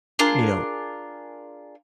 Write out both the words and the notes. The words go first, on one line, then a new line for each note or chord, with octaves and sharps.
you know,
D4 F4 G#4 A#4